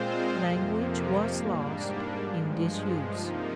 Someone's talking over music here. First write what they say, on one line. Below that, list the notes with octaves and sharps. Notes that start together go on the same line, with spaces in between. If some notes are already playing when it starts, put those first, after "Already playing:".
Language was lost in disuse.
Already playing: A#2 G#3 C4 F4 C5
F2 C3 F3 A#3
G#2 G3 A#3 D4
G2 F3 G#3
C3 F3 A#3 D#4